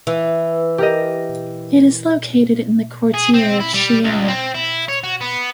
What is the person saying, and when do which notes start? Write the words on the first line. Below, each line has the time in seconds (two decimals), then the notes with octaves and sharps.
It is located in the quartiere of Chiaia.
0.07 E3
0.78 G4 A#4 D#5
3.14 G#4
3.34 C4
3.60 E4
3.74 G3
4.04 C#2
4.28 C4
4.55 E4
4.89 C#5
5.04 F#4
5.21 B3